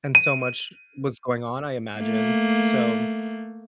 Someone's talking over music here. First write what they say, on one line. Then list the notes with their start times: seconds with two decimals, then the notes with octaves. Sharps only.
and so much was going on, I imagine, so,
0.15 D#7
1.97 A3 A#3